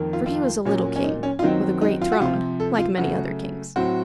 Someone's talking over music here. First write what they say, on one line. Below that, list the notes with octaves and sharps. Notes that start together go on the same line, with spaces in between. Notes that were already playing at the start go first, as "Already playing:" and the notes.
For he was a little king with a great throne, like many other kings.
Already playing: F2 D#3 A#3
F4
F4
A#2 F#3 A#3 C#4
C#4
D#4
C#4
F4
F#2 D#3 F#3 C4 D#4
D#4
F4
F#4
C3 F3 C4 F4
A4
F4
C#3 F#3 A3 F#4
A2 F#3 C4 F#4